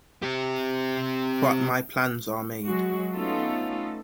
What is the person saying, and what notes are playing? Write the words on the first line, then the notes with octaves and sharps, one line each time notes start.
But my plans are made.
C4 G4
F#3 G#3 F#4
A3 B3 C#4 D#4 F4 A4